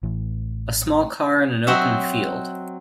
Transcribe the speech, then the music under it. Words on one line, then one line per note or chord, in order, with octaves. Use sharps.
A small car in an open field.
A1 E3
F#3 C4 F#4 D#5 E5